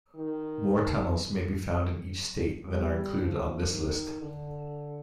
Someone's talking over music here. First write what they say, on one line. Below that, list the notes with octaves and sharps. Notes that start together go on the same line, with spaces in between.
More tunnels may be found in each state than are included on this list.
D#3
G3
F3
D#3
D3